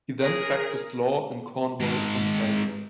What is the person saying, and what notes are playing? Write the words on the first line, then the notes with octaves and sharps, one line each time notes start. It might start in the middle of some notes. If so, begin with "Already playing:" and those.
He then practiced law in Cornwall, Ontario.
G#4 A#4
G#2 D#3